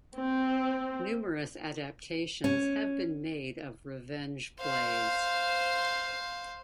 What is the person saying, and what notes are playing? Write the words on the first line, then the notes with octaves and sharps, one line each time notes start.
Numerous adaptations have been made of revenge plays.
C4
C#4
C5 F5